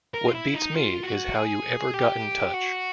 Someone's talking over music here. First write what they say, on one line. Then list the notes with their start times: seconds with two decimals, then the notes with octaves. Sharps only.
What beats me is how you ever got in touch.
0.14 A#4
0.28 F4
0.34 E4
0.54 D#4
0.74 F4
1.03 F#4
1.34 G#4
1.94 G4
2.54 F#4